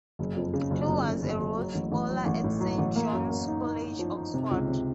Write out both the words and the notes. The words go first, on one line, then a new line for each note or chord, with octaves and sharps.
He was a Rhodes Scholar at Saint John's College, Oxford.
F#1
F2
C#3
F#1
F#1
F#1
F#1
F#1
F#3
A1
A1
F#3
A1
A2
F#3
A1
A#3
F#2
A#3
D#4
D#4
D#4
F3
D#4
C3
C#2
C3